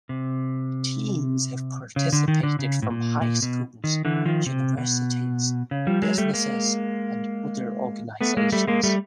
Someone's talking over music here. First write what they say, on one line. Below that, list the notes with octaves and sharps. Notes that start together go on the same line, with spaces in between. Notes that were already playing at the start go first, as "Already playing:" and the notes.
Teams have participated from high schools, universities, businesses and other organizations.
C3
C#3
D3
D#3
D3
C#3
A2
A#2
A#2
B2
D#3
D3 E3
D#3 F3
C3
B2
C#3
F3 G3
F#3 G#3
G3 A3
G#3 A#3
A3 B3
G#3 A#3
G3 A3
G#3 A#3
G3 A3